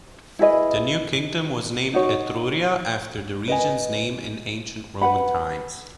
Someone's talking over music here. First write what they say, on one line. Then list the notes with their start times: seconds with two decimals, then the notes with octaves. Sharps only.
The new kingdom was named Etruria, after the region's name in ancient Roman times.
0.39 E4 G#4 B4 D#5
1.93 D#4 F#4 C#5
3.48 B4 D#5 G#5
5.01 B4 F#5 B5